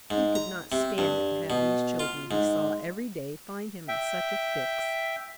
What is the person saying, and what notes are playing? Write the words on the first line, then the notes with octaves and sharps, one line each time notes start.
He could not stand it to have these children he saw every day find him in such a fix.
G#2
A#5
C3
G2
B2
F4
G#2
E5 G5